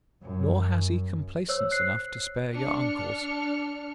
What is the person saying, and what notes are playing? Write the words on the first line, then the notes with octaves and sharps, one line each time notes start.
Nor has he complaisance enough to spare your uncles.
F#2
C5 C#5 E6
F#6 C7
D4 F6 C#7